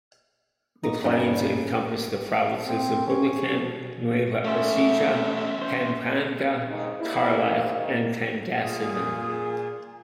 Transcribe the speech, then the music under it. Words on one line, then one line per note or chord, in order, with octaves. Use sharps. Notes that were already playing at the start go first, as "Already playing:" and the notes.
The plains encompass the provinces of Bulacan, Nueva Ecija, Pampanga, Tarlac and Pangasinan.
D#4
G2 C#3 D#4
C4
C#4
B2
E2 A3 C#4 C5 E5
C5
F2 G#2 D#3 G#3
G3 A#3 E4
G#2 D#3 F#3 A#3
A#2 G#4